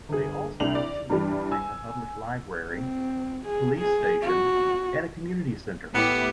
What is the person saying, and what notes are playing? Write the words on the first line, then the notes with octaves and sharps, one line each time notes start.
They also usually contain a public library, police station and a community centre.
G1 G#4
C2 D4 F7 F#7
D5
G2 E3 G3
G#5 E6
C4
G#4
G#4
F#4
A2 B3 E4 G4